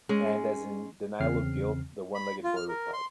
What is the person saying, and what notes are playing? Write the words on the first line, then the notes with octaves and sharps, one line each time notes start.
And as in denial of guilt, the one-legged boy replied.
G#3 C#4
E2 C#3 E3 C4 F6 C7
B5
F4
F6
A#4
C6